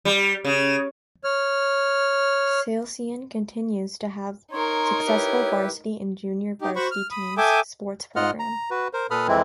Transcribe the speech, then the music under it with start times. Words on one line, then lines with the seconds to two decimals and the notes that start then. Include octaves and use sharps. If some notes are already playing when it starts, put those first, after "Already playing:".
Salesian continues to have successful varsity and junior varsity team sports program.
0.05 G3
0.45 C#3
1.24 C#5 F6
4.52 D#4 A#4 C#5 C6
5.07 E4 G4 B4 C#5
6.61 D#4 G4
6.76 F#4 C5 F#5 B5 C#6
6.91 F6
7.11 B5 D#6
7.37 A4 E5 G5 G#5 D6 D#6
8.16 G#2 F4 D#5 F#5 F6
8.39 A#5
8.71 F#4 B4
8.93 A#4 C5
9.11 A#2 A4 B4 B5 D#6 F6
9.28 F2 E3 G#3 C4 E4